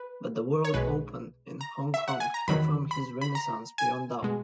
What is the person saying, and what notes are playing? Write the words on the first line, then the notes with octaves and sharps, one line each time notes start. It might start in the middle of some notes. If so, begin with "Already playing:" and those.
But the World Open in Hong Kong confirmed his renaissance beyond doubt.
Already playing: B4
C#5
B1 B2 G#3 B4
A#5
E5
F#5
G#5
A#5
E2 D#3 F#3 B5
B5
B5
A#5
G#5
B2 G#3